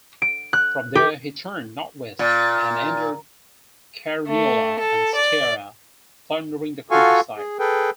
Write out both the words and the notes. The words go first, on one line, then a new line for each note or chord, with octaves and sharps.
From there he turned northwest and entered Carniola and Styria, plundering the countryside.
D7
F#6
G4
A#2
A3
A4
D5
F4 F#4 A4 F5 G#5 C#6
G#4
G#4 A4 B4 G5